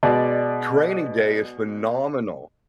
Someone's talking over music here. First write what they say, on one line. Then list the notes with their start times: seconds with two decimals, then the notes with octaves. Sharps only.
Training Day is phenomenal.
0.03 B2 G#3 D5